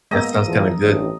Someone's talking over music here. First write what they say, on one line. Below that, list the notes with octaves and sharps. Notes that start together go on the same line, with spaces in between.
That sounds kinda good.
G#3 A#3 B3 D#5 A#5 E6
E2 F3
A1 G2 D#3